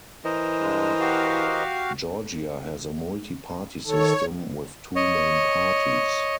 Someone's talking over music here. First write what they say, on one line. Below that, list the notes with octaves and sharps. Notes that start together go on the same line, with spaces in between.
Georgia has a multi-party system, with two main parties.
E3 A#4 C5 D#5
G2 G#3
F#4 G4 F5
D#3 A4 C#5
C#5 D#5